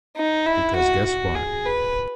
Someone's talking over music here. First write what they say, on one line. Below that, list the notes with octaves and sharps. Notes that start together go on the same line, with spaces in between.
Because guess what?
D#4
E4
F#4
F#4
G#4
B4